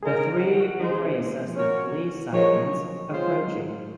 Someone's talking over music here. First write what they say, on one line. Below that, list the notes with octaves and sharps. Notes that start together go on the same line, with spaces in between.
The three embrace as the police sirens approaching.
C#3 G#3 D#4 G#4 A#4
F#4
F#4
G#3 D#4 G#4 C5
C#4
A#3
G#3
F3
A#3 C#4 F#4 A#4 C#5
F3 G#3 D#4 A#4 C#5
F#3
G#3 C#4 F4 C5
F#3
G#3